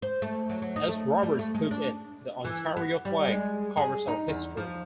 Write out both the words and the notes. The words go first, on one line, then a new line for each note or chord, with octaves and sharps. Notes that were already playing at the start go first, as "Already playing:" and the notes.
As Robarts put it, the Ontario flag covers our history.
C5
A3
F#3
F#3
D#4
A3
G3
A3
G#3
D4
E3
B3
G3
G#3
G#4
D#4
E2
F3